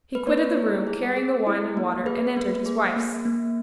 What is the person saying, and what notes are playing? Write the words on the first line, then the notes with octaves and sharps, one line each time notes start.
He quitted the room, carrying the wine and water, and entered his wife's.
B4
A#3 C#5
E4
G#4
G#4
E4
A#3
G#4 B4
A#3
G#4
A#3
A#3